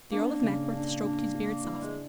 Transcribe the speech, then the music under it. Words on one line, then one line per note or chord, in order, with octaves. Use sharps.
The Earl of Mackworth stroked his beard softly.
A#3 D4
B3
A#3
C#3
D4
D4
D4
E3 G3
G#3